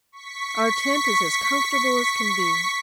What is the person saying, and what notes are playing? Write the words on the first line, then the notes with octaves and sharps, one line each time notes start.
Our tent is as comfortable as can be.
C#6 B6